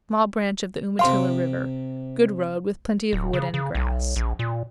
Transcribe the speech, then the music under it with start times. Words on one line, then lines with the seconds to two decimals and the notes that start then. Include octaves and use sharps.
Small branch of the Umatilah River.--Good road, with plenty of wood and grass.
0.99 C3 F5 G5 C6
3.13 D1
3.33 C#3
3.54 C#3
3.75 B1
4.16 A#1
4.39 A#2